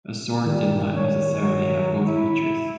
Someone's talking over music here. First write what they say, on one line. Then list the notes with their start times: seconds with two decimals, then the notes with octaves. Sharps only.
A sword did not necessarily have both features.
0.46 D#3 G3
0.96 C#5
1.37 F#3
2.07 E4